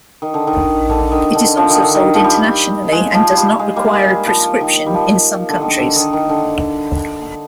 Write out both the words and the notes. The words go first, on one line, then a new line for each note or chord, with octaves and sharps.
It is also sold internationally, and does not require a prescription in some countries.
D#3
D3
D#3
D3
D#3
D3
F3
D#3
D3
D#3
F3
G3
G#3
F3
G3
G#3
G3 A#3
G#3
G3
F3
D#3
G3
F3
D3
D#3
D3
D#3
D#3
D3